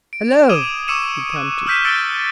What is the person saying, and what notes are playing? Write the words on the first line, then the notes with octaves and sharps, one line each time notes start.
"Hello!" he prompted.
D7
D6 D#6 G#6 D#7 E7 G7
C#6 D6 E6 C#7 D#7 E7
F#6
E6 F6 G6 B6 D#7 E7
E6 A6 C#7 D7 G7